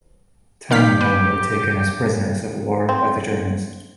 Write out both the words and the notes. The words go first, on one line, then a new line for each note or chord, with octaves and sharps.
Ten men were taken as prisoners of war by the Germans.
D#3 G4 F5 B6
B4
C4